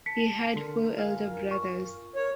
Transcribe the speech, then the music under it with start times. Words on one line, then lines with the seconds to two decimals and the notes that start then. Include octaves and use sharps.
He had four elder brothers.
0.06 A5 B6 C#7
0.55 D3 A#4 C6
0.97 F4 F5 G#5
1.51 C#6
2.16 A#4 C#5